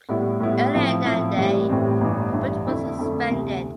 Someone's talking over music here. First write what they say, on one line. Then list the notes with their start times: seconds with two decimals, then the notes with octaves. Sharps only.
Earlier that day, Boot was suspended.
0.09 A2 G3 B3 E4
0.40 A2 G3 B3 E4
0.73 A2 F3 C4 E4
1.05 A2 F3 C4 E4
1.37 A1 A2 E3 G3 C4
1.69 A1 A2 E3 G3 C4
2.01 A1 G2 E3
2.33 A1 G2 E3
2.66 F2 D3 A3 E4
2.99 F2 D3 A3 E4
3.30 D2 C3 E3